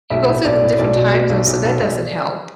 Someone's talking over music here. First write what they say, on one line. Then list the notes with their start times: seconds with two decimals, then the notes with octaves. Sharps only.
You go through the different time zones, so that doesn't help.
0.10 B1 E5
0.27 A2
0.45 B1 D5
0.62 A2
0.79 B1 D5
0.96 B2
1.13 B2
1.30 B1
1.47 B1
1.64 B1
1.81 B1